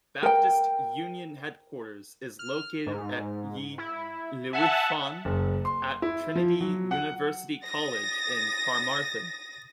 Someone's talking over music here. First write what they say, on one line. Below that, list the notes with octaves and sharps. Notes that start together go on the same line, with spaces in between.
Baptist Union headquarters is located at Y Llwyfan at Trinity University College in Carmarthen.
A#4 G5
F6
G#2
E4
E5 F#5 G#5 A5
F#1
C6
E4
F3
F#3
F#5
D#6 A6 A#6